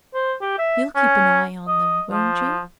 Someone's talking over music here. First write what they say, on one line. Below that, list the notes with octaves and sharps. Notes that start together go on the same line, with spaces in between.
You'll keep an eye on them, won't you?
C5
G4
E5
C#4
D#5
F3